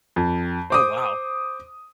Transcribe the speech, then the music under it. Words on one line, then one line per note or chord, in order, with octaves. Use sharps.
Oh, wow.
F2
C5 D6 D#6